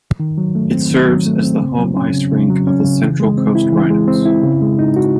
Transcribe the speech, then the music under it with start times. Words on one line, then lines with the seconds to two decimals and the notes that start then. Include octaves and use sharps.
It serves as the home ice rink of the Central Coast Rhinos.
0.20 D#3
0.38 F#3
0.55 A3
0.73 C4
0.90 D#3
1.08 F#3
1.26 A3
1.43 C4
1.61 C#3
1.78 F#3
1.96 C#4
2.14 C#3
2.31 C#3
2.50 F#3
2.67 C#4
2.85 C#3
3.03 E3
3.20 G#3
3.37 C4
3.55 E4
3.73 E3
3.90 G#3
4.08 C4
4.25 E4
4.43 C#3
4.61 G#3
4.79 D#4
4.96 F#4